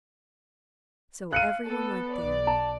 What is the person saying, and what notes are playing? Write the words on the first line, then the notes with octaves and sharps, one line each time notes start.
So every one went there.
F5 F#6 C#7 D#7
B3 A4
B1 D5
A5